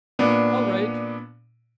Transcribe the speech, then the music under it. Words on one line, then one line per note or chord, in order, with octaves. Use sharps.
All right.
A#2 B3 D4